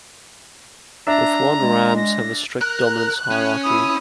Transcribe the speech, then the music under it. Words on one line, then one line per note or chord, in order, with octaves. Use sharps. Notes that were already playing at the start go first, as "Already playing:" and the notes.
Mouflon rams have a strict dominance hierarchy.
D4 E5 A#5
G#3
A#6
A#4 F#6
C#4
E4 D#6